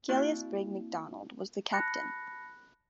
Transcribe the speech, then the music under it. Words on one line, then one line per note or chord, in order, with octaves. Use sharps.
Gilleasbuig Macdonald was the captain.
A#3 C4 E4 F#4
A5 B5 F#6 A#6 C#7